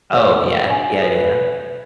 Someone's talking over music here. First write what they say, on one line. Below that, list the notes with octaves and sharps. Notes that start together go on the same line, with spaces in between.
Oh, yeah, yeah, yeah, yeah.
G#4 B4 C#5
D4 G#5
A4 B4